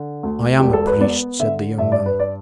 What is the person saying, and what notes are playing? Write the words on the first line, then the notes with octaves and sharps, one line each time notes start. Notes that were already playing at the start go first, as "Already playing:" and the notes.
"I am a priest," said the young man.
Already playing: D3
D2
E1 G4
A4
B4
B3 D5
D3 E5
G2 E5
D5
B4
D5